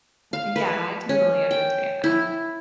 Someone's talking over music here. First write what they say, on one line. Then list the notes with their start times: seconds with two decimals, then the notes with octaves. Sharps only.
Yea Yeah I totally understand that.
0.33 F5
0.56 B4
1.09 C#4
1.51 G5
2.04 E4